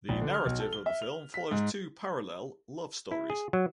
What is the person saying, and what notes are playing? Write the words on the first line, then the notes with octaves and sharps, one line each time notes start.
The narrative of the film follows two parallel love stories.
A#1
D3
F6
B1
A4
G7
E5
F7
B6
G#2
E4
G#4
F#3